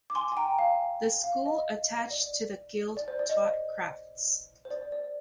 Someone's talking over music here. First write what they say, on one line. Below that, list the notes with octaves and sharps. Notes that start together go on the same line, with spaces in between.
The School attached to the Guild taught crafts.
D6
G#5 C6
G#5
G5 A#5
F5 G#5
F5
D#5
D5
D5
C5
D5
D#5
C5
D5
D5